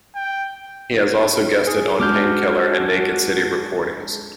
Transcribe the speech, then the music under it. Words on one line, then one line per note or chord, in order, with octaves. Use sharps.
He has also guested on Painkiller and Naked City recordings.
G5
G#4
G#3 D4 F#4 D6 F6 G6